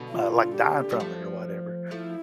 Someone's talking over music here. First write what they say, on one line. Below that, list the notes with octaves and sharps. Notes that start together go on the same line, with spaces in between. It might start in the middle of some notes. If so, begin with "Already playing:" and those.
uh like dying from it or whatever.
Already playing: B2 D3
F4
G4
G3
F3 A3
F3 A3 E4